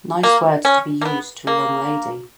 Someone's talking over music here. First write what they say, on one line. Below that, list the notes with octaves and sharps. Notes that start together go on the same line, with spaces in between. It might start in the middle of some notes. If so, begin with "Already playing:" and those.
Nice words to be used to a young lady!
A#3
C#4
A#3
B3
A#3